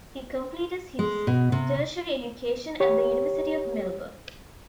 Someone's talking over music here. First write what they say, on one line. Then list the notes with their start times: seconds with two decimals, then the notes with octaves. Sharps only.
He completed his tertiary education at the University of Melbourne.
0.99 G#3
1.27 B2
1.52 C3
2.80 G4 C#5